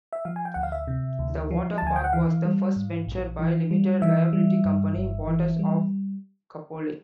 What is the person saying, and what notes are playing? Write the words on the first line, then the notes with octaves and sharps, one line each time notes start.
The water park was the first venture by limited liability company, Waters of Kapolei.
E5
F3 F5
G#5
G5
D2 F#5
F5
E5
C3
D2
F3
A5
D2 G#5
G5
F#5
E3 F5
G3
G#2
A#1
E3
G3
E3 E5
G3
G2
G1
E3
G3